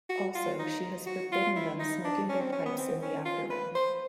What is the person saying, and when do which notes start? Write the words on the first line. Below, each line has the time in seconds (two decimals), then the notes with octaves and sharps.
Also, she has forbidden them smoking their pipes in the after-room.
0.09 F#4
0.34 F4
0.59 D#4
1.07 F#4
1.32 F4
1.56 E4
1.79 D#4
2.04 D4
2.29 C#4
2.40 C4
2.52 C#4
2.66 B3
2.78 C4
3.02 C#4
3.25 F4
3.50 B4
3.75 C5